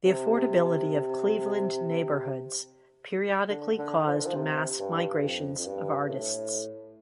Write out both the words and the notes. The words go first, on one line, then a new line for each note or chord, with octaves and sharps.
The affordability of Cleveland neighborhoods periodically caused mass migrations of artists.
C3
D3
D3
F3
D3
F3
C3
G2
F2
F2
G2
A2